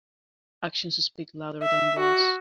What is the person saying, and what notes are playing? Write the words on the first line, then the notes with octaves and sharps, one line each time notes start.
Actions speak louder than words.
E5
F#4